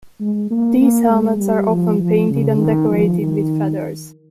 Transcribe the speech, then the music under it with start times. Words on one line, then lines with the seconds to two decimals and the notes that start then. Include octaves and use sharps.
These helmets are often painted and decorated with feathers.
0.21 G#3
0.51 A#3
0.81 A#3
1.10 G#3
1.40 G3
1.70 F3
1.99 F3
2.30 C#3
2.59 D#3
2.90 F3
3.19 D#3